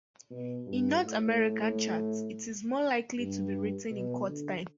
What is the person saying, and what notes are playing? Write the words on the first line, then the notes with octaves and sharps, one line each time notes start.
In North American charts it is more likely to be written in cut-time.
B2
G2
A2
G2
B2
D3